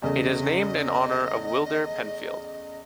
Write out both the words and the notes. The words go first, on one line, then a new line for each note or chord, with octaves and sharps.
It is named in honour of Wilder Penfield.
E2 C#3 A3 D#5